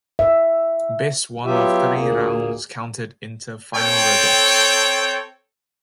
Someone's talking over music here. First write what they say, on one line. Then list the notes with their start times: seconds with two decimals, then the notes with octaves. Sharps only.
Best one of three rounds counted into final results.
0.19 E5
1.45 F#3 B3 F4 G4 E5
1.95 D2 A#2 A#3 G#4
3.76 C4 A4 C#5 G5